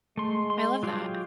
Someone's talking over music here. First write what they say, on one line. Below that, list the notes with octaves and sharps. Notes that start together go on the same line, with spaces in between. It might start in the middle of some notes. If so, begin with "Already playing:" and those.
I love that.
G#3 A3 C6
C6
F#3 F4 G4